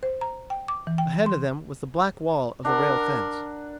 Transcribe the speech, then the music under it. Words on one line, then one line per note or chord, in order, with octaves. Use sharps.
Ahead of them was the black wall of the rail fence.
C5
A#5
G5
D6
E3
G5
C6
D4 A#4 F#5